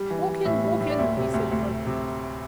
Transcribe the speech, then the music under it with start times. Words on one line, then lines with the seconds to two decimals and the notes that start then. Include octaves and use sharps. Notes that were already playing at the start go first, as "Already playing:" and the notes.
"Walk in, walk in," he said joyfully.
Already playing: G3
0.10 E3
0.29 G3
0.45 A2 E5
0.64 G3
0.81 A2
0.90 D5
0.99 D2 E5
1.17 C3
1.34 D2
1.51 D2
1.69 C3
1.87 C3